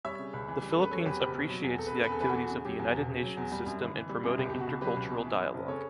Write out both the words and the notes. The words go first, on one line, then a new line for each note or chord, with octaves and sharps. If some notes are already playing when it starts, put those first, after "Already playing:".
The Philippines appreciates the activities of the United Nations system in promoting intercultural dialogue.
G3 C#5 E5
C#3
C#2
E3
G3
A4
C#3 B4
F#3 A4 C#5
C#5
E2 G4 B4
F#1 G4 B4
B2
F#3
E2
E2 A4
B4
C#3 A4
E2 B4
A4
E3 B4
F#4 A4
E2
C#3
F#3 G4
E2
E1
C#3
F#3
E2
G3
F#2
G1
E3
G3
F#2
C#2 G4
G4
B2
F#4
C#2
F#3 G4 B4
C#2
B2
E3
F#2
F#1
C#3 A4 C#5